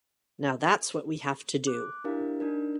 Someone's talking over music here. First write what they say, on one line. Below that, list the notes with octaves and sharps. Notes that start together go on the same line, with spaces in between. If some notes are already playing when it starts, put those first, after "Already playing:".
Now that's what we have to do.
D6 F#6
D4 E4 G4 A#4 F5
D4 D#4 A#4